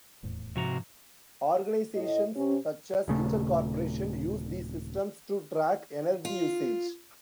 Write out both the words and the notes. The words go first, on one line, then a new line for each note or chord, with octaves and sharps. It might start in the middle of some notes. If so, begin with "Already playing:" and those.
Organisations such as Intel corporation use these systems to track energy usage.
D#1 E2 A2
G#2 C3 F3 F#4 A#5
A2 D#5
C3 C#4
D#1 C#3 A3
F4